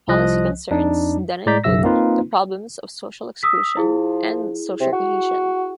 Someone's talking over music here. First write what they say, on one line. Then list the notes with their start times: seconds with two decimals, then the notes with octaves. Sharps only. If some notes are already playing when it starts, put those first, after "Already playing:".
Policy concerns then include the problems of social exclusion and social cohesion.
0.08 C2 F3 D#5 F#6
0.71 F2 D4 D#4
1.46 A2 G#3 D5 A#5 G6 B6
1.64 B1 F#2 C#3 E5 E6 A#6
1.83 A#3 C4 D#4 F4 B4
3.43 D#6 E6 B6
3.77 F3 E4 G#4
4.80 C3
4.92 F#4